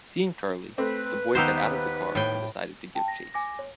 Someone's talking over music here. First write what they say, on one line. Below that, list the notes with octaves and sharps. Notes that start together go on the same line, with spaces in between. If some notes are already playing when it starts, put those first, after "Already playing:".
Seeing Charlie, the boys got out of the car and decided to give chase.
A3 C4 B4
D#2 B3 D#4 G4 C5 E6
A2 G5
G5 A5
A#6
G#5 D6 A#6
C#5